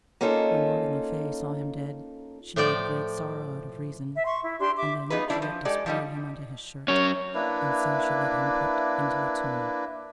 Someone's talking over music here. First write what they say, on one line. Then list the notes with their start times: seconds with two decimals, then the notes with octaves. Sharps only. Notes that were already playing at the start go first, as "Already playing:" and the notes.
When Morgan le Fay saw him dead she made great sorrow out of reason; and then she let despoil him unto his shirt, and so she let him put into a tomb.
0.21 A#3 C#4 D#4 F4 A4
2.56 A2 F3 D5 G5
4.14 E5
4.26 C6 C#6
4.43 E4
4.59 D4 G4 C6
4.76 E5 D6
5.10 B3 D#4 F4 G#4 B4
5.30 G3 D4 E4
5.42 F3
5.65 G#3 G4 A4 D5
5.86 F3 G3 D#4
6.88 F#3 C#4 C#5
7.34 A#3 D4 E4 B4